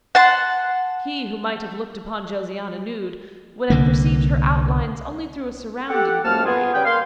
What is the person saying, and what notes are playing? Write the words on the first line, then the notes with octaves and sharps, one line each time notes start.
He who might have looked upon Josiana nude would have perceived her outlines only through a surrounding glory.
F#5 A5 C6
C2 D3 A#3
G4 A4 F#5
F#2 F3 A#3 A5 F6
B3 F4 G#4
C#3 G3 B4 G5
A#3 F5 C6